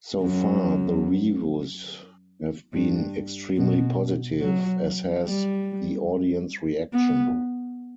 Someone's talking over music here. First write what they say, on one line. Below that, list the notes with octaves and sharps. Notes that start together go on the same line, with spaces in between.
So far the reviews have been extremely positive, as has the audience reaction.
F#2
G2
B2
F#3
G3
B3